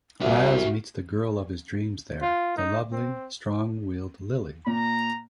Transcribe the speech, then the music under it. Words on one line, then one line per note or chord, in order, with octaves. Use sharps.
Laz meets the girl of his dreams there, the lovely, strong-willed Lily.
C2 F#4 E5
F4
D#4
C4
A#2 A#5